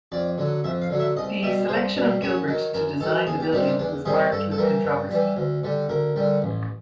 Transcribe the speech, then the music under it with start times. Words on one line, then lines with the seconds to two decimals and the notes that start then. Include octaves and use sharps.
The selection of Gilbert to design the building was marked with controversy.
0.12 F2 D5
0.38 D3 F#3
0.64 F2 E5
0.82 F5
0.90 D3 F#3
0.99 E5
1.17 C2 D#5
1.43 B2 G3 E5
1.69 C2 C5
1.96 B2 G3
2.22 F#2 C#5
2.48 D#3 F#3
2.74 F#2 A#4
3.01 D#3 A4
3.04 F#3
3.27 E2 G#4
3.40 G4
3.53 C3 D#3 G3 F#4
3.67 D4
3.79 E2 D4
4.05 C3 D#3 G3 G#4
4.32 G2 A4
4.51 A4
4.58 E3 G3 A#4
4.84 G2
5.11 E3 G3
5.37 D2
5.64 D3 G3
5.89 D2 A#4
6.16 D3 G3
6.42 A1